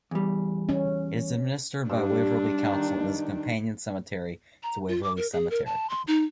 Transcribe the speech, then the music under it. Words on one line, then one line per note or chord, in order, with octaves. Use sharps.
It is administered by Waverley Council and is a companion cemetery to Waverley Cemetery.
E2 G3
C#4
G2 D4
D#3
A#5
F4
D6
A#4
G#4
A#4
A5
C6
D#4